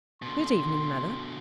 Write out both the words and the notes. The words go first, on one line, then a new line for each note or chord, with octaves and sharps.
'Good evening, Mother.'
B2 D3 C6